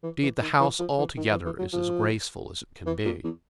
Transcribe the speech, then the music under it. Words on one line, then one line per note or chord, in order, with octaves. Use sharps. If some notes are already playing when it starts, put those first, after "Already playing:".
"Indeed, the house altogether is as graceful as it can be."
E3
E3
D#3
E3
F3
E3
D#3
E3
E3
F#3
F3
E3
A#2
E2